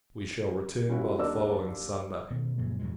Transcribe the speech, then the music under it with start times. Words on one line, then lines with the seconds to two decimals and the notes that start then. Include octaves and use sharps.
We shall return by the following Sunday.
0.88 G3 C#4 E4 F#4
1.19 D#2 D4 A#4 D5 E6
2.30 B2 D#3
2.58 F#2 A#2 C#3 F3
2.79 E2 G2 A#2 G#3